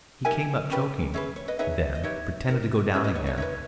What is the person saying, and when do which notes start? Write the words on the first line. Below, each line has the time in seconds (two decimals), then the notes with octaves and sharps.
He came up choking, then pretended to go down again.
0.25 D#4 G4 A#4 E5 G#5
0.70 C#4 G4 B4
1.14 C#4 G#4 B4 C#5 E5
1.36 C#5
1.48 B4 D#5
1.59 D#4 G#4 B4 C#5 E5
1.95 D#5
2.04 D#4 G4 B4 C#5 E5
2.48 D#4 A#4
2.93 C#4 G4 B4 C#5 E5
3.04 B4 D#5
3.15 C#5
3.27 C#5
3.37 D#4 G#4 B4 C#5 E5